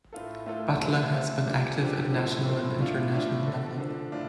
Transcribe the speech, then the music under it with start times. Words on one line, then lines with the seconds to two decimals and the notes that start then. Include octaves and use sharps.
Butler has been active at national and international level.
0.13 A2 A3 F4 A4
0.46 A2 A3 F4 A4
0.79 C3 A3 F4 A4
1.12 C3 A3 F4 A4
1.46 D3 F3 D4 G4
1.79 D3 F3 D4 G4
2.12 A2 F3 C4 A4
2.46 A2 F3 C4 A4
2.79 A2 F3 A3 D4 F4
3.13 A2 F3 A3 D4 F4
3.46 D3 F3 D4 A4
3.78 D3 F3 D4 A4
4.12 A2 A3 D4 F4